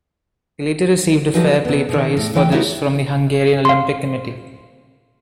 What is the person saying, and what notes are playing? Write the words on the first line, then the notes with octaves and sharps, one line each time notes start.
He later received a Fair Play prize for this from the Hungarian Olympic Committee.
F3 F#3 D#4 F#4 G#4 B4
C3 B3
B2 D#3
A2
D2 E3 G#3 E5 G5
B3 D#4 E4 F#4 G4 B4
F5 C6